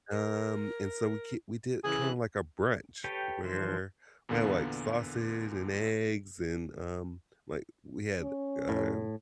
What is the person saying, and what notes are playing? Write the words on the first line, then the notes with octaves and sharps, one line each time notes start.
um, and so, we k we did it kinda like a brunch, where we had, like, sausage and eggs and, um, like, we had, um,
A#4
C#3 E3 G#4 F#6
G4 A4 B4 C#5 G5
D3 E3 F3 C5
E2 A#2 D3 B3 F5
C#4
A2